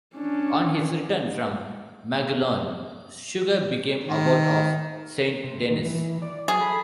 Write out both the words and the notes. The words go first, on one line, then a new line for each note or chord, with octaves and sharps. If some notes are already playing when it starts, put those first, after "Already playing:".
On his return from Maguelonne, Suger became abbot of St-Denis.
C#4 D4
D#3
C3
D#3
E3
D5
F#3 G#4
A4 B5